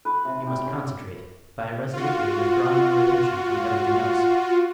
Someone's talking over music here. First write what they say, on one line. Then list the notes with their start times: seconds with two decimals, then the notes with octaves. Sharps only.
You must concentrate by resolutely withdrawing your attention from everything else.
0.05 B4
0.25 C3
0.47 G4
0.66 C#4
1.93 F4 F#4